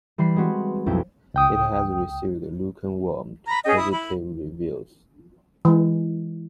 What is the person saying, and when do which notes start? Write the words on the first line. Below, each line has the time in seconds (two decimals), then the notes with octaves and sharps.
It has received lukewarm to positive reviews.
0.18 E3 G3 B5 C7
0.36 G#3 C4 F#4 B4
0.86 B1 F2 E4 G5
1.34 C#2 G5 D#6
3.47 A#5 B5
3.64 C#4 G#4 D#5 G5
3.77 E4 D#6
3.92 E4 B5
5.65 E3 G#3